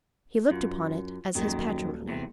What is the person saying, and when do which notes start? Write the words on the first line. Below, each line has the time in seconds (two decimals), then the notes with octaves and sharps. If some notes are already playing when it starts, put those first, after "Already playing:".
He looked upon it as his patrimony.
0.50 F#2 F4
1.35 D#1 F#2 D#3 F#3
2.08 E2 A2 C3